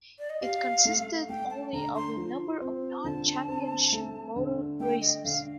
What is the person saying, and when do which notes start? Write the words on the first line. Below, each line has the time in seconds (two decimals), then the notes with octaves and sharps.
It consisted only of a number of non-championship motor races.
0.19 D5
0.30 D#5
0.41 G4 F5
0.85 A3
1.29 A3 G5
1.51 A5
1.73 D3 A#5
1.95 C6
2.17 F3
2.61 C4
3.04 D3 A5
3.48 C4
3.93 A3
4.36 D3
4.80 A3 G5
5.02 D#5
5.24 D3 F5